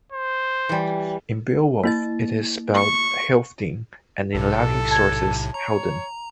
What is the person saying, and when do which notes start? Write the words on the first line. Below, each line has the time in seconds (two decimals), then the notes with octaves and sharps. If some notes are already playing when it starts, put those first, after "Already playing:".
In "Beowulf" it is spelled Healfdene, and in Latin sources Haldan.
0.12 C5
0.69 E3 G3
1.84 A#3 E4 A6
2.74 C#6
4.34 B1 A2 C3 A4
4.91 A5 G#6
5.54 C#5 A#5